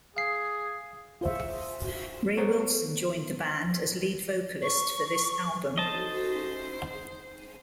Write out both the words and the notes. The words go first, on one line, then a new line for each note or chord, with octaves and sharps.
Ray Wilson joined the band as lead vocalist for this album.
G#4 F5 C7
F4 C5 E5
B3 A4 A#4 C5 C#5
C#6
C5 D#5 A5